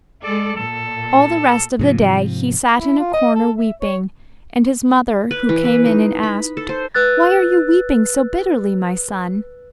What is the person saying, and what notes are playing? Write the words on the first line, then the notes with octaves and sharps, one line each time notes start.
All the rest of the day he sat in a corner weeping, and his mother who came in asked: 'Why are you weeping so bitterly, my son?'
G#3 A4 D5
A#2 A4
G#2 C3 F3
E4
F4
D#5
A4
E5
C#5
B4
E3
B4
D#4
B5
A4
C5
B4 E6 F#6 A6